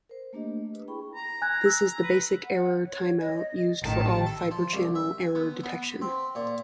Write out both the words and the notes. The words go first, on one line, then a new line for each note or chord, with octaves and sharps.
This is the basic error timeout used for all Fibre Channel error detection.
A#4 C5
A3 A#3 D4 G4 D#5
B4
E4 G#4 G5 B5 C#6
A#5
G#5 F#6 G#6
E6
B4
F#5
C#5
D#5
A1 D#3 G5 A5
A4
F3
C2
E5
G#5
B3
B3
B5
C4
A#2